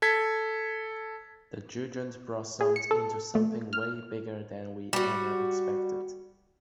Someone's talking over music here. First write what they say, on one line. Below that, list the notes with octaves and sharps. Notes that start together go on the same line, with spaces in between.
The Jugend blossomed into something way bigger than we ever expected.
A4 G#6 B6
G#4
C#7
A4
A3
F6
G3 F#4